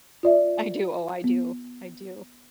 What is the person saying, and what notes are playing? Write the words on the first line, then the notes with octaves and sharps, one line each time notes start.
I do. Oh, I do, I do.
F4 D5 E5
B3